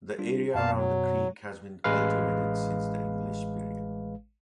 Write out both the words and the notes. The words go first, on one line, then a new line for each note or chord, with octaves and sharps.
The area around the creek has been cultivated since the English period.
G3 D4 F4
F#2 B2 B3 F5 A5
F#3
A1 G#3 B4 F5